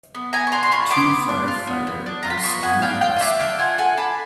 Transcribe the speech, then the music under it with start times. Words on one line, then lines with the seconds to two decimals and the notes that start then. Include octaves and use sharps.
Two firefighter are surrounded by smoke.
0.15 B3
0.33 B3 G#5 A#5
0.47 C#6
0.52 D4 A#5 C6
0.63 C6
0.71 F4 B5 C#6
0.91 B3 C6 D6
1.10 B3
1.29 D4
1.48 F4
1.67 B3
1.87 B3
2.06 D4
2.23 F4 A#5
2.30 B5
2.37 C6
2.44 B3 B5 C#6
2.63 B3 F#5 G#5
2.82 D4 F5 G5
3.01 F4 F5 G5
3.16 D#5
3.20 D4 D5 E5
3.40 D4 F5 G5
3.59 F4 F#5 G#5
3.78 A4 F#5 G#5
3.97 D4 A5 B5